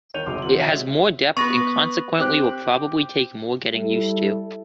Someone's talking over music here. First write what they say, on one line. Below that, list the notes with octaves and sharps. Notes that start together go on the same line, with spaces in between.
It has more depth and consequently will probably take more getting used to.
D#2 D#3 C#5 G6 D#7 F7
F#1 C2 F#3 G#4 C6 D6
D2 B2 E3 F#4 F#7
F#4 C#5 E5
G#3
B3 B4 C#6 A#6
C4 G4 F#6
G3 E4 A4